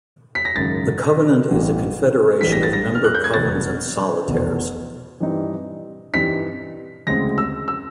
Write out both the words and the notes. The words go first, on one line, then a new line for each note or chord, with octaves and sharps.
The Covenant is a confederation of member covens and solitaires.
B6
A#6
G#1 F#2 C#3 A6
A1 G2 E3 G3
A1 G2 E3 G3 B6
A#6
A6
A#6
F6
F#6
G6
G#6
F1 E2 B2 A6
F1 E2 B2
G2 E3 G3 C4 D#4
G2 E3 G3 C4 D#4 B6
D2 C#3 E3 G#3 C4 A#6
E6
E6